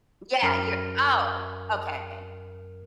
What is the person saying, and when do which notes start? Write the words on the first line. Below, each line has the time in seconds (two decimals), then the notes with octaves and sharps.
yeah you're oh, okay.
0.43 F#2 A#4 F6